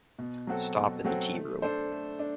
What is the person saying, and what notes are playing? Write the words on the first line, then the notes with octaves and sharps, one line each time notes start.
Stop in the tea-room.
B2
F#3 C4 F#4 A4
B2
F#3 C4 F#4 A4
A3
D4 A4 C5
A3
D4